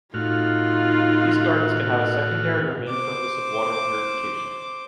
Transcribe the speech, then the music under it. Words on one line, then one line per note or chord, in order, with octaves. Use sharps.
These gardens can have a secondary or main purpose of water purification.
A2 D#4 F4 F#4 F6
C5 D6